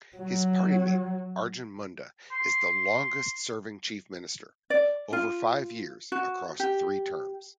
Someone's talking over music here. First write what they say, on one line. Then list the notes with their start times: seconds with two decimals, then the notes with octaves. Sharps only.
His party-mate Arjun Munda is the longest-serving chief minister-over five years, across three terms.
0.17 F#3
2.32 C6
4.70 D5
5.13 F4
6.12 F#4
6.60 G4